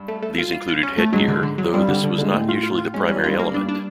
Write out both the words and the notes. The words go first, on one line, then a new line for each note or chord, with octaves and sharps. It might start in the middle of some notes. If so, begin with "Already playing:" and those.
These included headgear, though this was not usually the primary element.
Already playing: G2
A3
A3
F4
F4
F4
C#4
A3
G#2 F#3 G#3
D3
D3
F#3
G2 G3 C4
D3
D3
D3 G#3
A2 G#3 A3
F4
F4
F4
G#3 C#4
G3 C#4
F#3
G2 G3 F4
A#3
G2 G3 D4
D4